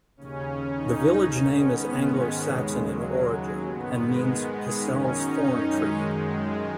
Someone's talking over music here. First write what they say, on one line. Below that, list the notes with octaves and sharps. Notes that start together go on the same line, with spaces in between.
The village name is Anglo Saxon in origin, and means 'Picel's thorn tree'.
D#2 C#3 C#4
D#4
C#4
G#2 D#3
B3
G#3
D#2 C#3
F#3
F#3
G#2 D#3 B3
G#3
G#3
F#2 D#3 C#4
D#4
C#4
G#3
F#2 D#3 G#3
G#3